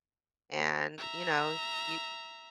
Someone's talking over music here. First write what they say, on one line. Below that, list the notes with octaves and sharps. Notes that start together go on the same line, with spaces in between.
and, you know, y
E5 A#5